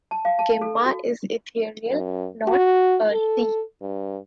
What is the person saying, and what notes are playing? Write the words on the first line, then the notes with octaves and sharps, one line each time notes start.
Gemma is ethereal, not earthy.
A5
F5
A5
A4
F#4
F#2
F#4
A4
G2